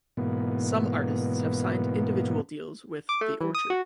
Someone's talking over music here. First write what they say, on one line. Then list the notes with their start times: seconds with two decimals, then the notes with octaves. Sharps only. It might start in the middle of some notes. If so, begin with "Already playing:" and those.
Some artists have signed individual deals with The Orchard.
0.17 G#2 B2 E3 A#3 B3
3.09 D6
3.21 A3
3.41 E3
3.55 D#6
3.70 F#4